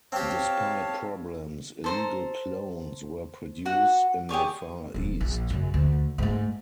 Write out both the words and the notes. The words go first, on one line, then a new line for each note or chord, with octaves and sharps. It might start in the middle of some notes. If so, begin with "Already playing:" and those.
Despite problems, illegal clones were produced in the far-east.
C4 G4 C#5 F5 A5
A4 C5 A#5
F#4 F#5
G4 G#4 C#5 D5
E1 F2
A#1
F#2 C#3
D2
G#2 A3